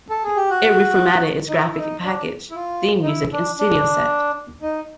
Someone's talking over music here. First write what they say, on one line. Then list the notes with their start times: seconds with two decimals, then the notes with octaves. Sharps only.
It reformatted its graphic package, theme music, and studio set.
0.10 A4
0.24 G#4
0.36 G4
0.50 F#4
1.49 D#4
1.53 E4
1.72 E4
1.78 D#4
2.04 D4
2.51 E4
2.55 F4
3.02 D#4
3.07 E4
3.33 D4
3.59 D4
4.62 D#4